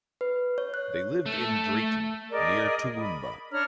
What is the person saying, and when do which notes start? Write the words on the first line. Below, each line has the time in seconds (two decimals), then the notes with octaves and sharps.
They lived in Drayton near Toowoomba.
0.21 B4
0.58 C#5
0.74 F#6
1.26 A3 A4
2.32 G#4 A#4 D5 D#5
2.99 B5
3.52 D4 C#5 A#5 F6